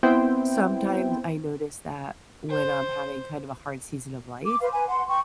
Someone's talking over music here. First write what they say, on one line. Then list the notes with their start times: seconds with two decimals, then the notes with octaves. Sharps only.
Sometimes I notice that when I'm having kind of a hard season of life,
0.03 B3 C4 E4 C5 G5
2.49 C5
4.45 D6
4.61 B4 C5 F5
4.72 B4 G#5
4.87 F#5 C6
5.09 G5 C#6